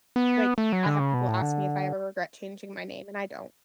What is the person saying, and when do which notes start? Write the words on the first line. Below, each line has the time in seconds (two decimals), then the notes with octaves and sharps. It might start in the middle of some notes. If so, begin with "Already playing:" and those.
like, I have people ask me if I ever regret changing my name, and I don't.
0.16 B3
0.58 A3
0.73 F#3
0.86 D3
1.00 C#3
1.14 B2
1.28 A2
1.42 D3